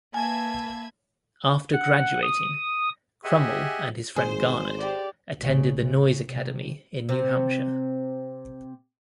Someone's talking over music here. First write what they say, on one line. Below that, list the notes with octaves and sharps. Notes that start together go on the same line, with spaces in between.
After graduating, Crummell and his friend Garnet attended the Noyes Academy in New Hampshire.
A#3 B4 E5 G#5 A5 G#6
F#5
D#6
G4 G#4 D#5 E5 F#5 G#5
G#1 G#4 C5
G4 D5
A1 C#3
C#3
C3
C3 C4